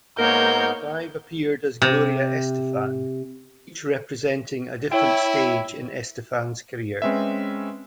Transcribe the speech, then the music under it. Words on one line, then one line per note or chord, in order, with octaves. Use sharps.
Five appeared as Gloria Estefan, each representing a different stage in Estefan's career.
G#2 A#3 B3 D#4 A#4 C#5 G6
C3
E4 C#5 G5
G#3 C4 C#4 B4 E5